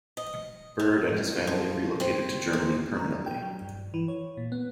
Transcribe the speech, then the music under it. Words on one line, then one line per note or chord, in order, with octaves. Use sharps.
Bird and his family relocated to Germany permanently.
D#5
A2
F3
C4
G#2
A#5
D4
G5
F#3
G2
E3
C#5
A#2
B3